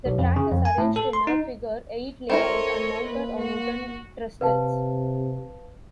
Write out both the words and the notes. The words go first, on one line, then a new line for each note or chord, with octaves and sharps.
The track is arranged in a figure-eight layout and mounted on wooden trestles.
B1
F2
C#3
F2
G#5
A2
A4
C6
D#4
C4 E4 A4 A#4 C#5 D#5
A#3 B4
F#4
C3 B4 F5 A5